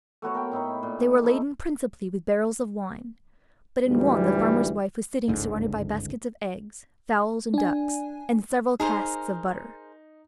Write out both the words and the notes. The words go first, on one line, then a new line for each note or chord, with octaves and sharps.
They were laden principally with barrels of wine; but in one the farmer's wife was sitting, surrounded by baskets of eggs, fowls, and ducks, and several casks of butter.
A3 B3 F#4 C#5
A#4 G5
A2 D#4 E4 B5
A#2
B2
A3 D#4 E4
D2 G#2 E3 G3
G1 C#2 G#2 D3
D4 G#5
D#4 G#4 A#4 C5